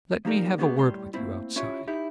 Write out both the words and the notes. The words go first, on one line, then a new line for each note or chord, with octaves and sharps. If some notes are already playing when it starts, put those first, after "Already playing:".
Let me have a word with you outside.'
F3 A#3 D#4 G4 A#4 D5
A#3 B3 C#4 D#4 G4 G#4
A2 G3 C6
A3 A#3 C4 E4
C#4 E4 F4 G4 C#5
D#4 E4 G4